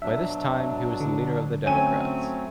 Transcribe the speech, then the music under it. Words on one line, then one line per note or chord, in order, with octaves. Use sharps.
By this time, he was leader of the Democrats.
B2 F#3 D4 E5
D3
F#3 A3 C4 C#4 G#5 D#7